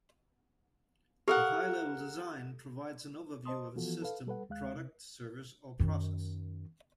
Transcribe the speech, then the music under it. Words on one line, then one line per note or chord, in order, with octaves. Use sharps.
A high-level design provides an overview of a system, product, service or process.
G4 A4 A#4 F5 F#5
C5 D#5 A5 C6 D#6
E3 F3 B3 F4 F#4 A4
A4 B4 F5
G3 A4 B4 F#5
D#2 G#3 F5 F#6
C3
F#2 D#3